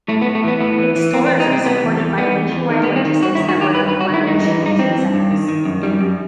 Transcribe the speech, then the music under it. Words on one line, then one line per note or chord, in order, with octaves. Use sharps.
Its stores are supported by a nationwide logistics network of eleven distribution centers.
A2 A3
B3
A2
A3
E3 B3
A2 B3
E3
E3
E2 C4
C4
E3
D#4
C3 C4
C3 B3
E2
E2
D#3 B3
E2
E2
D#3
B3
D#3
C4
D#3
G2 F#4
E4
D#3
F#4
D#3 G4
G2 B4
B4
G2
F#4
D#3 E4
G2 D#4
D#4
E3
G2 D#4
E3 C4
G2
G2
D#3
D#3
F#2
F#2 G3
F#2